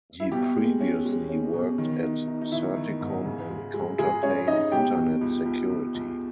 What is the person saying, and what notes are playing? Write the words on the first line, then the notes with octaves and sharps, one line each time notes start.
He previously worked at Certicom and Counterpane Internet Security.
E4
B2 G3 G4
G#3
C#4
G#3
C#4
B2
D#3
D#4
D#4
D#4
D#3 E4
D#3
G#2
C#3
G#3
G#3
C#3 G#3 G#4
G#3 C#4 C#5
D#4 D#5
B2 G4 G5
B2
C#2
C#2
C#2
C#2